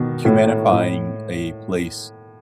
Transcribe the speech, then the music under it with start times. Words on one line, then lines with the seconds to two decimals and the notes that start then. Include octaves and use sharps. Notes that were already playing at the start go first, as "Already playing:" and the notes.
humanifying a place
Already playing: B2 D#3
0.25 A2
0.72 A2